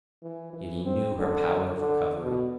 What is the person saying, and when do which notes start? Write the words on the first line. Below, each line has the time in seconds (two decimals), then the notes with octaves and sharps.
Yet he knew her power of recovery.
0.23 E3
0.53 E3
0.85 C4
1.18 D3
1.78 D3
2.24 B2